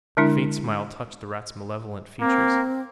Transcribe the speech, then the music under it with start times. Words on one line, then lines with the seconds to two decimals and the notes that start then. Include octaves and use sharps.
A faint smile touched the Rat's malevolent features.
0.17 D3 G#3 D4 E4
2.21 A#3 C4